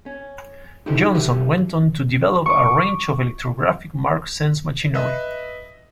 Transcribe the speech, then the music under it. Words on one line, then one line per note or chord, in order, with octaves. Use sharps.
Johnson went on to develop a range of electrographic mark-sense machinery.
C#4
D#4 E4 G4 A4 C5
F#4 G4 A4 B4 E5
C#6 D6
B4 D#5 E5